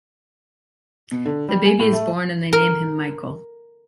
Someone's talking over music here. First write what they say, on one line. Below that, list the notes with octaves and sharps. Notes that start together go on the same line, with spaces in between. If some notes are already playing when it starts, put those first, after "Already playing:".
The baby is born and they name him Michael.
B2
D3
G3
G#5
A2
A3
A#4